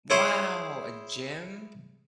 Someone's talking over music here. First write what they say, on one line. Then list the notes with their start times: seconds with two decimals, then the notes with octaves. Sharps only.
Wow. A gym?
0.10 E4 G#4 C5 C#5